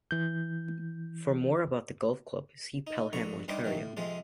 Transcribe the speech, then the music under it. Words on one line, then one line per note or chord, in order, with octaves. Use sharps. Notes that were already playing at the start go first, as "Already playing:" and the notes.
For more about the golf club, see Pelham, Ontario.
E3 G6
D#4
A#1 F2 D3 A#5 C#6
G2 G3 D#4 C5 E5 D6
B2 D#3 E3 F#3
A2
F2 C3 F3 G#3 F4